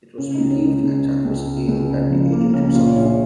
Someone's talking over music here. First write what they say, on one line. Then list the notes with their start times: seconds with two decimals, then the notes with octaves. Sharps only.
It was believed attack was aimed at the agent himself.
0.18 C#3 C#4
0.34 D#4
0.40 C#2
0.50 C#4
0.61 C#3 G#3
0.83 C#2
1.04 C#3
1.25 C#2
1.46 C#3
1.68 C#2
1.89 C#3
2.11 C#2 F3
2.32 C#3 A#3
2.53 C#2 C#4
2.75 A#2 F4
2.96 A#1 C#5
3.09 C#5